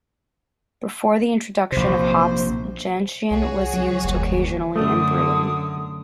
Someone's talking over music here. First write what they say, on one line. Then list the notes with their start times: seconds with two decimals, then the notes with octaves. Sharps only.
Before the introduction of hops, gentian was used occasionally in brewing.
1.72 A#1 C3 C5
3.31 C2 F#4 G#4 C#5
3.74 C#2 F#3
4.04 F#1 D#2 G3
4.76 F#2 D3 A3 D#6